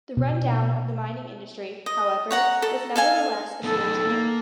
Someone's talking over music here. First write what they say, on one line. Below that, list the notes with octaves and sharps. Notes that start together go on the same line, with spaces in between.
The run-down of the mining industry, however, was nevertheless a serious blow.
B2
D#5
C#5 F#5 A#5
A4
A4 F5 G#5
A3 B3 D#4 A4
A#3